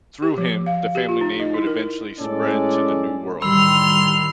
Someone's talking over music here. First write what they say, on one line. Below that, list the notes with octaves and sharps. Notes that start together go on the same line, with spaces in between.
Through him the family name would eventually spread to the new world.
G4
F3
F5
G4
F4
D#4
D#5
E4
A#4
A2 G#3 C#4 A4 D5
A2 D#3 G3 B5 C6 E6 F7